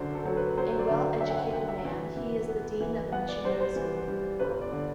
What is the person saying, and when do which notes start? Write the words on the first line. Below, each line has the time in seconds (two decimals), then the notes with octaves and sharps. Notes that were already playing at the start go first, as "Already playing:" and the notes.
A well-educated man, he is the dean of the missionary school.
Already playing: F#2 D3 F#3 C5 D5
0.15 A4
0.25 F#3
0.37 B4
0.57 F#3 C5
0.79 D5
0.90 D3
1.00 D5
1.21 F#3 E5
1.30 G5
1.37 F#5
1.53 D3 G5
1.69 E5
1.85 E3
2.17 E3
2.49 B3
2.80 E3
3.12 B3 F#5
3.28 D5
3.44 G3 C5
3.60 C5
3.76 E3
4.08 G3
4.39 G1 B4
4.61 D5
4.72 D3